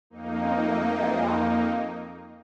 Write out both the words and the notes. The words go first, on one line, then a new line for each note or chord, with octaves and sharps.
Let's not go there, yeah.
F2 A#3 D#4